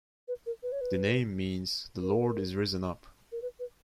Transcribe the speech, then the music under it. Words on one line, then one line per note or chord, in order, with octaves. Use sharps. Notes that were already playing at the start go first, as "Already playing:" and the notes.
The name means, the Lord is risen up.
B4
A#4
B4
C#5
B4
A#4
A#4
B4
B4